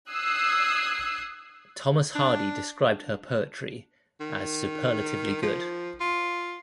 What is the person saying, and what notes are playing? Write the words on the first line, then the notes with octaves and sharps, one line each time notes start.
Thomas Hardy described her poetry as "superlatively good".
D#6 E6 F#6 G#6 C7
D4
D#3
F3
F4